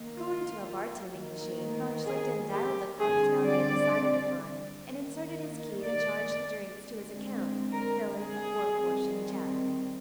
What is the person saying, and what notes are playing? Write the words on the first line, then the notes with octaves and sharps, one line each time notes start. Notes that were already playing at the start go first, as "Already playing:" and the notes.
Going to a bartending machine, von Schlichten dialed the cocktail they had decided upon and inserted his key to charge the drinks to his account, filling a four-portion jug.
Already playing: D#3 A#3
F4
D#3 A#3
G#4
G4
D3 G3 C4 G#4
D5
D#3 A#3
D5
D3 G#3 C4
A#4
G#4
D#3 G3 C4